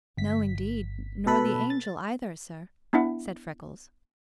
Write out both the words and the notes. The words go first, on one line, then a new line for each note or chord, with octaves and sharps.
"No, indeed; nor the Angel, either, sir," said Freckles.
G1 B6
B2 A4 B4 B5
A6
B3 D4 E4 E5 F#5